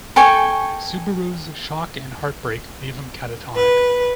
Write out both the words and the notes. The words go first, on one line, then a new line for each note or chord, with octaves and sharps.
Subaru's shock and heartbreak leave him catatonic.
A4 G5 G#5 C#6
B4